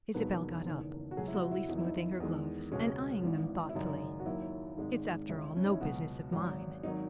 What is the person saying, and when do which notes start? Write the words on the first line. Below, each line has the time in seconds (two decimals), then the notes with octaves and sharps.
Isabel got up, slowly smoothing her gloves and eyeing them thoughtfully. "It's after all no business of mine."
0.14 E1 D#2 D#3 F#3 B4
0.66 F#1 E2 D#3
1.11 F#4
1.17 C#2 B2 F#3 G#4
1.28 E4
1.34 F#4
1.52 E4
1.69 E2 D#3 F#3 D#4
1.77 E4
1.86 D#4
2.20 E2 D#3 G#3
2.72 C#2 B2 G#3 C#4
3.23 G#1 G#2 E3
3.69 E4
3.74 G#1 F#2 C#3 F#3 D#4
4.20 F#4
4.26 D#2 D#3 F#3 E4
4.77 G#1 G#2 D#3 G#3
5.29 C#2 C#3 E3 E4
5.56 C#4
5.65 D#4
5.72 E4
5.81 C#2 B2 F#3 F#4
6.32 G#1 G#2 F#3
6.83 G#1 D#3 F#3 D#4